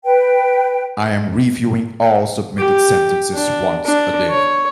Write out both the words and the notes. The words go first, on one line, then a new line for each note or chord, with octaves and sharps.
I am reviewing all submitted sentences once a day.
B4 G5
G4
D4
D4
C#5